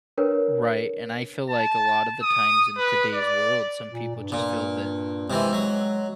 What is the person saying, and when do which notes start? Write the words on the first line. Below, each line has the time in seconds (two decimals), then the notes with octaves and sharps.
Right, and I feel like a lot of the times in today's world, some people just feel that
0.18 D4 A#4 B4 C#5
1.50 A5
2.22 D#6
2.77 B4
3.14 D5
3.90 A#2
4.16 G2
4.32 A#2
5.30 C3 E3 G#3
5.53 F#3